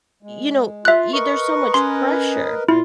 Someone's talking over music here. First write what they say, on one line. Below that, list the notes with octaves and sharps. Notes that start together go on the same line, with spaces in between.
you know, y there's so much pressure
G#3
F4 E5 F#6
A#4 B4 D#5 C#6
C#4 C6
A#2 E4 F4